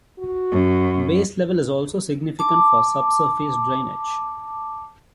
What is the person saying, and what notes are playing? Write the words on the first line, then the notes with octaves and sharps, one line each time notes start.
Base level is also significant for subsurface drainage.
F#4
F#2
A5 D6